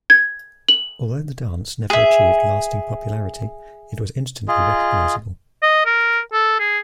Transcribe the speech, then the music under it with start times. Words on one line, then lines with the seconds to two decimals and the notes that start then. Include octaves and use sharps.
Although the dance never achieved lasting popularity, it was instantly recognizable.
0.10 G#6
0.69 F#7
1.90 G#4 E5
4.48 F4 G#4 D#5
5.63 D#5
5.86 A#4
6.33 A4
6.60 G#4